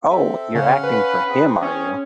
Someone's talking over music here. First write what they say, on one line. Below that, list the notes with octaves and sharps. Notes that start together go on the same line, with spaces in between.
Oh, you're acting for him, are you?
C4 A4 E5
C#3 C#4 F5 F#5
B4
C4 G#4
C#4